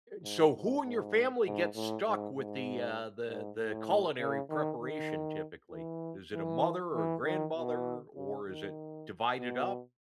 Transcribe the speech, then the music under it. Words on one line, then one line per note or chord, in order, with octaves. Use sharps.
So, who in your family gets stuck with the, uh, the the culinary preparation typically? Is it a mother or a grandmother or is it divided up?
G#2
G#2
G#2
G#2
A2
G#2
G#2
G#2
A2
C#3
D#3
D#3
E3
E3
E3
D#3
B2
C#3
D#3
B2